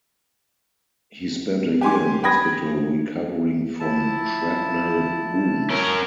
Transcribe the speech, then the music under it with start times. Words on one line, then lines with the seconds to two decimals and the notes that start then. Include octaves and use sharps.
He spent a year in hospital recovering from shrapnel wounds.
1.81 G4 G#5 C6 D6
2.23 G5 B5 D#6 G#6 A#6
3.80 F3 E4 A5
5.70 C#4 F#4 A4 A#4 C#5